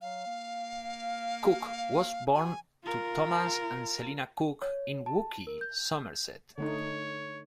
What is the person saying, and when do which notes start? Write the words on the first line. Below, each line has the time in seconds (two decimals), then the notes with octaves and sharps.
Cook was born to Thomas and Selina Cook in Wookey, Somerset.
0.01 F#3 F5
0.26 A#3
2.34 F#4 G#5
2.84 F4 A#4
4.62 C#5
5.06 A5
5.47 A#4
5.61 G6
6.58 D3 A3 D#4 C#5